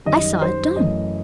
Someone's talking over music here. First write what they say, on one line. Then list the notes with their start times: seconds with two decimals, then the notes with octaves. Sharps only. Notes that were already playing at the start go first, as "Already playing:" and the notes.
"I saw it done."
0.05 F#2 D#3 G3 D#5
0.41 C5
0.75 F#2 E3 A3 D#5